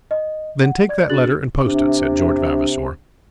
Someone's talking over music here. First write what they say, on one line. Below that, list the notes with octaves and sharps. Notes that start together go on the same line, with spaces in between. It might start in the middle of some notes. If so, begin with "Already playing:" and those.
"Then take that letter and post it," said George Vavasor.
D#5
F#5
D5 G#6
D4 F#4 G#4 F#6 A6 F#7
C3 D4 E5